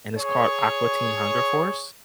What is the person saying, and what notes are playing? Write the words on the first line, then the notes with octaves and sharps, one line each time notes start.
And it's called "Aqua Teen Hunger Force."
G#4 C#5